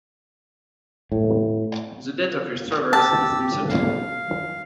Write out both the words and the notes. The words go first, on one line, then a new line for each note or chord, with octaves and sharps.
The date of his travels is uncertain.
A2
G4 A5 E6
G4
F5